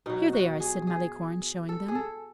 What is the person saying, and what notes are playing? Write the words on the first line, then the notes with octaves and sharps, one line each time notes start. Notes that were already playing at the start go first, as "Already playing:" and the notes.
"Here they are," said Malicorne, showing them.
B2 F#3 D#4
F#4
G#4
G#4
A4
G#4
A4